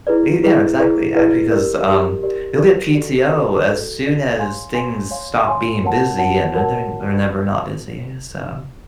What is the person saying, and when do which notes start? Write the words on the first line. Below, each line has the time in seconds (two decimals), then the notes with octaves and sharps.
Ye yeah, exactly, a because, um, you'll get PTO as soon as things stop being busy, and I know they're not they're never not busy, so
0.07 E4 G#4 B4 D5
0.43 E4 G#4 B4 D5
0.79 E4 G#4 B4 D5
1.15 E4 G#4 B4 D5
1.51 G4 A#4 D5
1.87 G4 A#4 D5
2.23 G4 A#4 D5
2.59 G4 A#4 D5
2.95 F#4 A4 D5
3.30 F#4 A4 D5
3.66 F#4 A4 D5
4.02 F#4 A4 D5
4.39 C#5 F5 G#5 C6
4.74 C#5 F5 G#5 C6
5.11 C#5 F5 G#5 C6
5.47 C#5 F5 G#5 C6
5.82 F#4 A#4 C#5 F#5 A5
6.18 F#4 A#4 C#5 F#5 A5
6.54 F#4 A#4 C#5 F#5 A5